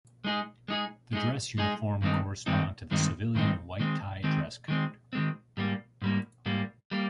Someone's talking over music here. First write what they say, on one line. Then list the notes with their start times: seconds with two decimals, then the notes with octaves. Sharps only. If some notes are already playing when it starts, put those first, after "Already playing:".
The dress uniform correspond to the civilian white tie dress code.
0.24 G#3 D#4 G#4
0.68 G#3 D#4 G#4
1.13 G#3 D#4 G#4
1.58 G#3 D#4 G#4
2.02 G2 D#3 G#3 C4 D#4
2.46 G2 D#3 G#3 C4 D#4
2.91 G2 D#3 G#3 C4 D#4
3.35 G2 D#3 G#3 C4 D#4
3.80 D#3 G#3 C4
4.24 D#3 G#3 C4
4.68 D#3 G#3 C4
5.13 D#3 G#3 C4
5.57 G#2 G3 A#3
6.02 G#2 G3 A#3
6.46 G#2 G3 A#3
6.91 G3 A#3